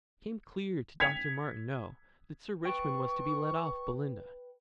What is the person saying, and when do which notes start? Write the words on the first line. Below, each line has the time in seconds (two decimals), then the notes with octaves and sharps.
It became clear to Dr. Martineau that Sir Richmond was to be let off Belinda.
1.00 G#6 B6 C#7 F7
2.65 B4 G5 C#6